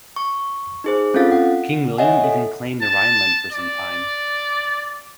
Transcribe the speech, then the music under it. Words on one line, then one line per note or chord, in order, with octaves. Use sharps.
King William even claimed the Rhineland for some time.
C#6
D#4 G#4 C5
C4 C#4 F4 A4 F5 A6
F#5
C#5 D#5 E5 F#5 G#5
A4
A5
D5